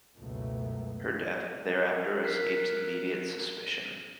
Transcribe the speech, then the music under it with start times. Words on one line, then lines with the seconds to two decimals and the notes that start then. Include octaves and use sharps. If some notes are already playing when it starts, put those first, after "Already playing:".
Her death thereafter escapes immediate suspicion.
0.16 F#1 C#2 B2 A3 A#3
2.24 A#4 F6 F#6 B6 C7